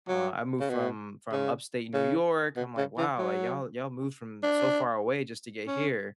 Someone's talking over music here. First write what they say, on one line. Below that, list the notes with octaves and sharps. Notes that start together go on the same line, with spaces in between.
uh, I moved from from Upstate New York." I'm like, "Wow, like, y'all y'all moved from so far away just to get here."
F#3
C#3
B2
C#3
C#3
B2
C#3
E3
F#3
D4
C#4